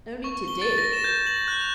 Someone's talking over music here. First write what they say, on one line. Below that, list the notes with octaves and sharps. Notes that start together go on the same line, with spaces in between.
No need to dig.
C#6
G7
A6
A#6
E7
G6
F#7
F#6
F7